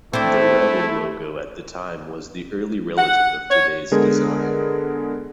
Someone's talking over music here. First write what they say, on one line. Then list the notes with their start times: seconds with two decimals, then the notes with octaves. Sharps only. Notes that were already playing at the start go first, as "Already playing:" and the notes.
The Revell logo at the time was the early relative of today's design.
0.13 A3 C4 D4 E4
2.97 F#5
3.49 C#5
3.92 D3 G#3 B3 G#4 A#4